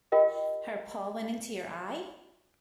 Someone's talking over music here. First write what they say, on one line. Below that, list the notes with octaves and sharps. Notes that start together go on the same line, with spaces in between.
Her paw went into your eye?
F4 G4 A#4 D#5 G5